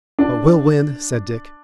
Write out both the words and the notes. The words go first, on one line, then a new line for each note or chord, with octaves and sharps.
"But we'll win!" said Dick.
D4